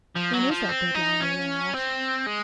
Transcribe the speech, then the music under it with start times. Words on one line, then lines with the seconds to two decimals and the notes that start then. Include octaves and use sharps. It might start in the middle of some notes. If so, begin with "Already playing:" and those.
"When is that deadline?" Lea asked.
0.16 F3
0.33 F#3
0.51 F3
0.69 C4
0.95 D#4
1.21 C#4
1.74 C4
2.26 G#3